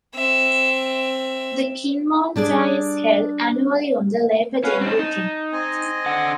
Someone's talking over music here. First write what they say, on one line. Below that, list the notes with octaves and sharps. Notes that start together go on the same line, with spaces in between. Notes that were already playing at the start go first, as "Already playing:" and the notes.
The Kinmount Fair is held annually on the Labour Day weekend.
C4 E5
G3 D4 G#4 D5
C#4 F#4 B4 C#5 F5
C4 D#4 A5
D#4
C4 D#5 G#5
D3 F#5